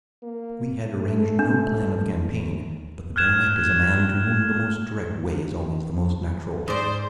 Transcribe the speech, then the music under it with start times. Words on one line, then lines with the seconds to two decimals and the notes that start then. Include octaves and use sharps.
We had arranged no plan of campaign, but the baronet is a man to whom the most direct way is always the most natural.
0.23 A#3
1.00 A3
1.39 D4
3.16 F6 F#6 G#6 E7
6.68 G#2 G#4 C5 D5